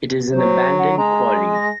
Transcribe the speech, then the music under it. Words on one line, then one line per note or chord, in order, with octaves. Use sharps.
It is an abandoned Quarry.
F#3 C5
F#5
G#3 A#5
A#6